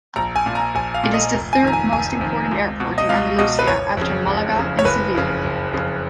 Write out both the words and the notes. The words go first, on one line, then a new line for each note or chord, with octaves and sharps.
It is the third most important airport in Andalucia after Malaga and Seville.
A#1 A#5
G#5
A#2
A#5
A#1 G#5
F5
A#2
D#5
F1
G#5
F2 D#3 A#5
G#5
F1 G#5
F2 D#3
C#2
B2
D#5
C#2 F5
B2 D#5
B4
F#1 C#5
F2 C#3
F#1
F2 C#3
C#5
F#1 B4
F2 C#3
F#1
F2 C#3